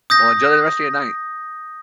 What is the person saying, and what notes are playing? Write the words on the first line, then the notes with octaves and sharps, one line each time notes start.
Well, enjoy the rest of your night.
D#6 G6 A#6